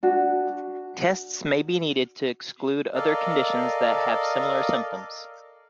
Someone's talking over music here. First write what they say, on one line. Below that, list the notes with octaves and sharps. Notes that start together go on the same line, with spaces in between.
Tests may be needed to exclude other conditions that have similar symptoms.
D4 F#4
A4 A#4 D5 D#5 F5